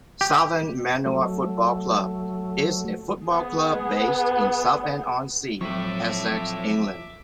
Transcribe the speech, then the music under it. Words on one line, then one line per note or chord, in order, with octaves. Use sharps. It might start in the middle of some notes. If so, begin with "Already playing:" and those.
Southend Manor Football Club is a football club based in Southend-on-Sea, Essex, England.
G4
F#3 A3
B3 G#4
F3 F#3 C4 A4 C#5 E5 D6